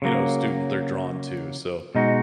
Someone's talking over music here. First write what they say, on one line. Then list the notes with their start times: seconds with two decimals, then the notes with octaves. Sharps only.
you know, student they're drawn to, so,
0.02 C#3 F#3 A#3
1.95 B2 G#3 D#4 F#4